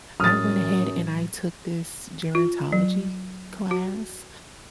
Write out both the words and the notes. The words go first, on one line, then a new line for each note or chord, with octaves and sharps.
I went ahead and I took this gerontology class,
F#2 A2 F#3 D#6 F6 A6
F4
F#3
F#4